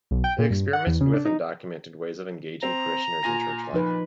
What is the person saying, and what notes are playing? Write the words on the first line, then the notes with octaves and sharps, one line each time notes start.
They experimented with and documented ways of engaging parishioners in Church life.
B1
G5
A#2
G2
F#5
E2
C#3
D4
D#4
C4 A#5
A#2 G#5 A#6
F3 D#4 B4